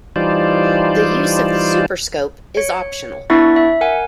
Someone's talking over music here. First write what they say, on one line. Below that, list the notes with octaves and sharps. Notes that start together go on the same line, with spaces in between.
The use of the Super Scope is optional.
E3 G3 D#4 F4 C5 D5
C#5 C#7
B3 D4 E4 E5 C#6 A6
E5
A#4 F#5 G#5